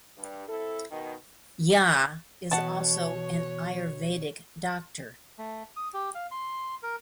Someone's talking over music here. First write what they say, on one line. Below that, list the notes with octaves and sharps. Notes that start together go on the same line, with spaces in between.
Jha is also an Ayurvedic Doctor.
G2
C4 E4 A4
B2 D#3
B2 E3 F#4 C#5 F#5 A5 C#6
A3
D#6
G4
F5
C6
A#4